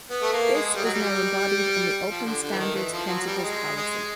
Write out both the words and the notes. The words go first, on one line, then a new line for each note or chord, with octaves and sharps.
This is now embodied in the Open Standards principles policy.
B3
A3
A#3
G#3
G3
F#3
G3
F3
D3
D3
E3
D#3
E3
F3
F3
F#3
G3
G3
G#3
G#3